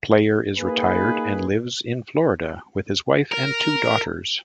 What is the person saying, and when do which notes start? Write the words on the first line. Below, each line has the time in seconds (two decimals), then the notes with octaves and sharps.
Player is retired and lives in Florida with his wife and two daughters.
0.58 A#3 D#4 G#4 B4
3.32 A#4